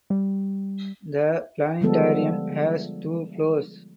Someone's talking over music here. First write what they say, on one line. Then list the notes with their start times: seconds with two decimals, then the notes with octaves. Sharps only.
The planetarium has two floors.
0.10 G3
1.81 D3 F3 G3 G#3 B3 A4